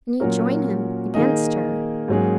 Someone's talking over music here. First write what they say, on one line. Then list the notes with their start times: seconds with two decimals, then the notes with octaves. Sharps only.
And you join him against her.
0.20 A#2 F#3 C#4 F#4 A#4
1.14 D#3 A#3 D#4 G#4 D#5
2.08 G#2 F#3 A#3 C#4 G#4